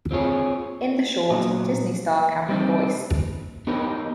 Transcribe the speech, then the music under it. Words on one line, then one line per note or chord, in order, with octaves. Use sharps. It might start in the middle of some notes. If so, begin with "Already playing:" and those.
In the short, Disney star Cameron Boyce.
C4 F4 G#4 C#5
A#2 F#3 B3
G3 C4 D#4
B3 D#4 G4 A#4